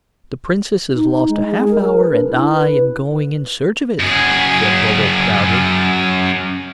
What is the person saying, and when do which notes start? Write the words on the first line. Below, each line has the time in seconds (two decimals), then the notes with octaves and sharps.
"The Princess has lost a half-hour and I am going in search of it," said Bobo, proudly.
0.94 D#4
1.28 G#3
1.51 G#4
1.71 A#4
1.98 B4
2.11 D4
2.28 E4
2.53 B4
3.99 F#2 G#4